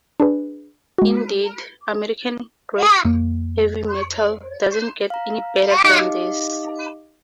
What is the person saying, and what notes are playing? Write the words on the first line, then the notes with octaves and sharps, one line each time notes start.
Indeed, American-bred heavy metal doesn't get any better than this.
D4 G#4 B4
G#3 F#4
F2 A#3
F5 A#5
D#4 G4 D#5 F5 D6